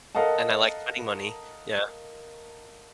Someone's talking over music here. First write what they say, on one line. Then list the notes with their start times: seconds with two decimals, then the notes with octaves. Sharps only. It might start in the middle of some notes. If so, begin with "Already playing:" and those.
And I like spending money. Yeah.
0.15 A4 A#4 D#5 F5 F#5 A5